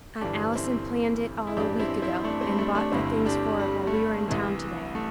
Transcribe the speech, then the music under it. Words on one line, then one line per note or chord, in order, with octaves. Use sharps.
Aunt Allison planned it all a week ago, and bought the things for it while we were in town to-day.
G1 G2 E3 D4 G4
C4 E4
E4
A1 G2 E3 D4 G4
C4 E4
C4 E4
A3 D4
G3 C4
A3 D4
A3 D4
G1 G2 D3 C4 E4
D4 G4
G3
A3
G3
C2 C3 E3
A3